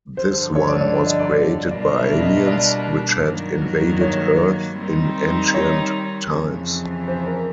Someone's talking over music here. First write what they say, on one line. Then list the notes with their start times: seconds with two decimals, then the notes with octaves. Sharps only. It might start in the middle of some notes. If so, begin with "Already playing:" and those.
This one was created by aliens, which had invaded Earth in ancient times.
0.17 G2 D3 F3 C5
0.55 C#5
0.69 D5
0.81 C#5
0.94 D5
1.07 D#5
1.19 D5
1.32 C#5
1.71 B2 G3 A#3 D4 F4 D5
1.97 E5
2.22 D#5
2.47 D5
3.24 G2 D#3 F#3 A#3
4.01 C#5
4.77 D#3 G3 C4 D#4
5.54 C#5
6.31 F2 C#3 E3
7.08 C5
7.26 A#4